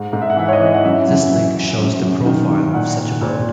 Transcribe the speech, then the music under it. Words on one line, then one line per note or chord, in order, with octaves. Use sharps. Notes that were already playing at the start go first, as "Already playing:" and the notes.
This link shows the profile of such a boat.
Already playing: G#2
G#2
E5
F#5
E3 E5
C#5
D#5
E3
F#5
F#2 E5
F#2
E3
E3
F#2
F#2
D#3
D#3
A#2 F#5
A#2
A#2